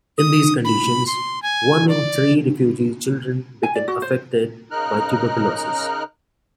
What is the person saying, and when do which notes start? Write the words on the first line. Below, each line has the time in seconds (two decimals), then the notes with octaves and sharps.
In these conditions, one in three refugee children became affected by tuberculosis.
0.18 D#6
0.65 B5
1.07 C6
1.42 G#5
1.88 D5
3.63 G#5
3.75 D5
3.88 F#4
4.02 C5
4.71 C#3 D#4 A#4 F6 F#6